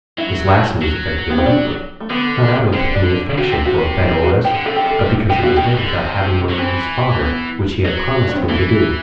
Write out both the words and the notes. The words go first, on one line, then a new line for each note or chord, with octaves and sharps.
This last news affected him deeply; not out of any affection for Pheroras, but because he was dead without having murdered his father, which he had promised him to do.
F#3 E4
F#3
B3
C4
D4
A3
D3 B3
B3
D3 C4
D4
C3 F#4
G4
F#4
E4
F#4
G4
D3
C3 A4
G4
A4
B2 G4
F#4
G4
F#3
E3
D3
C3
F#3
E3 C4
B3
F#3
D4
C4
B3
E3 A3